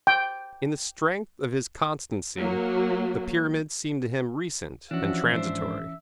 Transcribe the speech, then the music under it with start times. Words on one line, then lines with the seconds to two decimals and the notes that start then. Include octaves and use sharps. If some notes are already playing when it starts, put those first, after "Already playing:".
In the strength of his constancy, the Pyramids seem to him recent and transitory.
0.07 G5
2.36 F#3 A#3
4.91 E3 F3 C#4 D4 F#4 E5
5.32 G#2 D4 C5